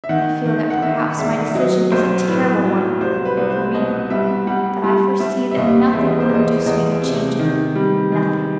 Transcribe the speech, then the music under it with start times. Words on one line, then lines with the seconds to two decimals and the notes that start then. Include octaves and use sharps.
I feel that perhaps my decision is a terrible one--for me, but I foresee that nothing will induce me to change it--nothing.
0.04 E5
0.09 D#3 F#5
0.45 D#3
0.70 F#5
0.82 D#3 E5
1.18 E1 E5
1.45 E5
1.55 F#3 D#5
1.91 B1 C5
2.28 A2 B4
2.65 F#3
3.01 C2 C5
3.25 B4
3.37 C2
3.50 C5
3.74 B2 D#5
4.10 G3 E5
4.47 G3 F#5
4.84 G3
5.20 G3 E5
5.51 E5
5.57 D#2 D#5
5.93 E2 E5
6.06 D#5
6.20 C5
6.30 E2 D#5
6.66 E2 D#5
7.02 C3
7.39 D#3
7.75 G3
8.12 D#3